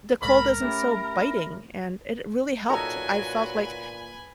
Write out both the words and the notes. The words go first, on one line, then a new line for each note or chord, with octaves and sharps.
the cold isn't so biting, and it really helped, I felt like
C2 A2 G#3 A#4 B5
A3 C#4 G4 E5 B5
A#2 F#3 D#4 A4 B4 G#5 A#5